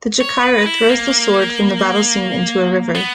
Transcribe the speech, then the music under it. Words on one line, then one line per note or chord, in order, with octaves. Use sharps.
The Jachyra throws the sword from the battle scene into a river.
C#5
B4
E4
A#3
B3